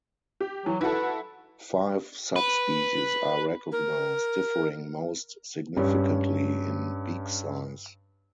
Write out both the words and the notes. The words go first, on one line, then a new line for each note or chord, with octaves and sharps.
Five subspecies are recognised, differing most significantly in beak size.
G4
E3 F#3
E4 F#4 A4 B4
B4
A#4
G2 C#4